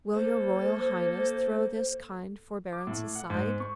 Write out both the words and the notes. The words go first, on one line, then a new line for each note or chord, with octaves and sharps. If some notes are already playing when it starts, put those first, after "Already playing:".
Will your royal highness throw this kind forbearance aside?
A#3 A4 C5
D6
A2
F#5
G#2
C#6